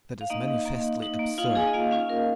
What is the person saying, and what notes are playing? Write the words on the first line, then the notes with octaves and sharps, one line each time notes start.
That is manifestly absurd.
F5
A#3 D#4 D#5
D#4
A#3
D#4
D#4
A#3
D#4 F4 F5
D#4 G#4 G#5
D#5
A#3 F4 F5
C#4 F4 F5
F4 A#4